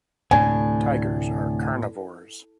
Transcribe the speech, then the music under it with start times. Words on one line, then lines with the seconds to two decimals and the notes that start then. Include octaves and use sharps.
Tigers are carnivores.
0.31 D2 A2 C3 D4 G#5